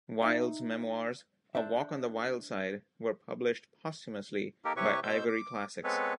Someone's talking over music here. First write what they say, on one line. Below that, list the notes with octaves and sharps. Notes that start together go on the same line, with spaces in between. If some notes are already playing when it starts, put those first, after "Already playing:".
Wild's memoirs "A Walk on the Wild Side" were published posthumously by Ivory Classics.
D#4 E5
D4 C5 E5
A#3 D#4 G4 A4 A#4
C3 E4 G4 B4 C#5 C#6
B2 C5 E6 G6
D6
G#3 B3 C4 A4 B4 C#5